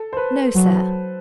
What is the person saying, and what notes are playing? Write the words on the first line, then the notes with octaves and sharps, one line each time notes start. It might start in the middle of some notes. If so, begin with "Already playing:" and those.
"No, sir."
Already playing: A4
C5
B4
F#3